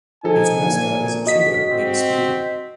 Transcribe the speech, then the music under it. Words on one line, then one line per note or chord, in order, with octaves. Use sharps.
Its mascot is a cheetah named Speedy.
F3 D#4 A4 G#5
A#2
F#4 D#5 B6
C4